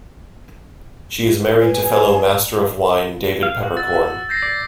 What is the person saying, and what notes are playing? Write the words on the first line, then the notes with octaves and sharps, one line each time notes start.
She is married to fellow Master of Wine David Peppercorn.
B4 G#5
F5
F#4
E6 A6
G6 A#6 C7
D5